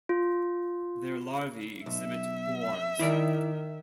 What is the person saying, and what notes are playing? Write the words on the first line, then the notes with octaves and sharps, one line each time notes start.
Their larvae exhibit horns.
F4
B1 E5
D#3 E4 A#4 D5